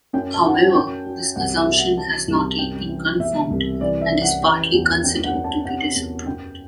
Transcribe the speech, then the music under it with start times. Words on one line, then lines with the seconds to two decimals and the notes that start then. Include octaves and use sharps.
However, this assumption has not yet been confirmed and is partly considered to be disproved.
0.13 F#2 G5
0.34 A5
0.44 F#3 F#5
0.54 G5
0.74 F#2 G5
1.05 F#3
1.36 C2 F#5
1.57 E5
1.67 F#3
1.73 E5
1.77 F#5
1.98 E3 A5
2.27 C2
2.58 F#2 G5
2.89 E3
3.19 B2 E5
3.50 C2
3.81 E3 D5
4.01 E5
4.12 F#2
4.22 F#5
4.43 E3 G5
4.73 E2
5.03 F#2 G5
5.24 F#5
5.35 F#2
5.44 A5
5.65 C3 F#5
5.96 E2
6.26 F#2 G5